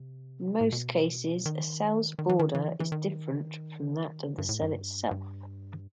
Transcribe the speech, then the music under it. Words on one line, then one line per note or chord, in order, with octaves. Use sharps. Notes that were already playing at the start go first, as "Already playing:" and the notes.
In most cases, a cell's border is different from that of the cell itself.
Already playing: C3
A2
B2
D#3
D#3
E3
D#3
E3
E3
D#3
G2
A2
G2
G2